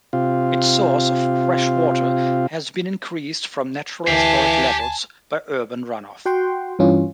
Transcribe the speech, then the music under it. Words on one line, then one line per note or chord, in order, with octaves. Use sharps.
Its source of freshwater has been increased from natural historical levels by urban runoff.
C3 F4
D2 E3 G4 F5 G#5 A5
F#4 F#5 G5 C6
G2 E3 C#4 F4